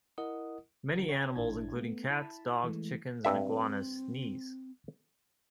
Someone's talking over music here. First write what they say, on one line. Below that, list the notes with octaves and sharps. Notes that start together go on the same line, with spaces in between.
Many animals including cats, dogs, chickens and iguanas sneeze.
E4 A#4 D#5 F#5 D#6
D3 F3 F#4 A#4
C#5 G5 G#5
A1 D4 E4 A5 G#6
A3 B3
E4 A5 B5
E3 G#3 A3
G2 C4 E5